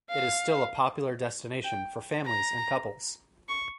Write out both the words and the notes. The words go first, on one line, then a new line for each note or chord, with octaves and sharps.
It is still a popular destination for families and couples.
F5
G5
A#5
C#6